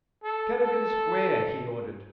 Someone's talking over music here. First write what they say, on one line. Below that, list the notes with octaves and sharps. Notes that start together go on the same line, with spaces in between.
"Cadogan Square," he ordered.
A4
A4